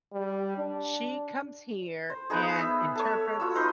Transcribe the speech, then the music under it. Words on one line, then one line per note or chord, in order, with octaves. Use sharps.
she comes here and interprets,
G3
D4
C5
B3 D#4 G#4
E5
A4 C#5
F4 F#4 E6
D#4 B4 C6